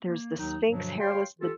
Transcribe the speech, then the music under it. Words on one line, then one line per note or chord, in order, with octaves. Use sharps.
there's the Sphinx hairless, the
A#3
D#2 D#3 F#3 D#4
G2 B2 D3 F3 F#3
G4 C#5 F5 G5 C6
E3 F4 G4 A4